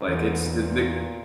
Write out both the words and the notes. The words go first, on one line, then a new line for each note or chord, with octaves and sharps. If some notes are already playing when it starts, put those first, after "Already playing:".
like, it's the the
Already playing: G#2
E2
A#2